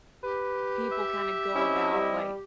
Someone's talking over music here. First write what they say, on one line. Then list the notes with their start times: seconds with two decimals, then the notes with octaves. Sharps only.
people kinda go about, like,
0.23 G4 B4
0.92 E5
1.55 C4 C#4 E4 D#5
1.94 G3